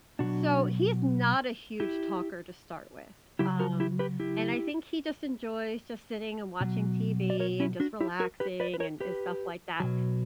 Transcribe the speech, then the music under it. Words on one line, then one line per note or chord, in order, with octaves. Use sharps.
So, he's not a huge talker to start with, um, and I think he just enjoys just sitting and watching TV and just relaxing and and stuff like that,
B2 F#3 D4 F#4
E4 G4
C#3 F#3 E4 G4
F#4 A#4
E4 G4
G4 B4
E4 G4
B2 F#3
D5
A#4 C#5
C#4 E4
D4 F#4
E4 G4
F#4 A#4
G4 B4
B4 D5
B4
A#4 C#5
G4 B4
B2 F#3